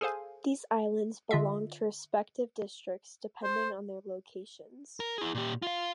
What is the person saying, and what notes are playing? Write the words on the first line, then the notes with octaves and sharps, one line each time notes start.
These islands belong to respective districts depending on their locations.
G#4 A4 C5 F5 G#5
D3 F4 D#5 E5
C5
A#4
E4 G#4
A#2 G4
F4 F5